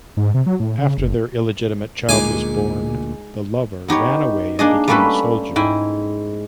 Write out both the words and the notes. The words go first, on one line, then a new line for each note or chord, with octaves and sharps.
After their illegitimate child was born, the lover ran away and became a soldier.
G#2
C3
F#3
A2
C#3
F#1
D2 A#2 G#3 D#4 G#4 G#5 D6
B3 D#4 G4 C#5
A#3 D4 G#4 D#5
G3 A3 A#3 C#4 A4 B4
G#2 E4 G5 G#5